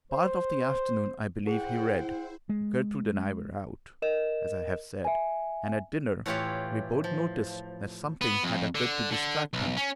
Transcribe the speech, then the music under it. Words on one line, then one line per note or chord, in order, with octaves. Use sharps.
Part of the afternoon I believe he read--Gertrude and I were out, as I have said, and at dinner we both noticed that something had occurred to distract him.
C5
E4 G#4 C5 F#5 G5
G#3
A#4 D#5 E7
E5 G#5
A2 E3 F4 G4 C#5 F5
F3
B3
F2
D3
D3
B1
C#4